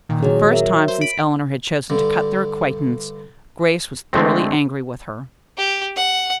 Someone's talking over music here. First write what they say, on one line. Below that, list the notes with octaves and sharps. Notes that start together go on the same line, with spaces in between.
For the first time since Eleanor had chosen to cut their acquaintance Grace was thoroughly angry with her.
A#2 D#3
F#3 G#4
A#4 E5
C5
B5 D7
G2 D3
D3 G#3 A3 C4
G4
F#5